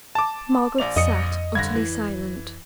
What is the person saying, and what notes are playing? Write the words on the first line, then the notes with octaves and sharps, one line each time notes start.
Margaret sat utterly silent.
A5 D6
A#1 D5 F7
F2 D#5 D#6 C#7
G2 D3 G#6 A#6
E3